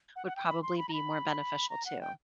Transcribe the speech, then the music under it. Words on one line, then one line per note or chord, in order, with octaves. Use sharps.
would probably be more beneficial too.
F#5
F#5
G5
B5
C6
B5
A#5
B5
A#5
F#5
G5